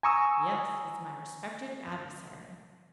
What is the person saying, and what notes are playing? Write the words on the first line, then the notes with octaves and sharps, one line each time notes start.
"Yes; it's my respected adversary."
G#5 A#5 C#6 D#6 E6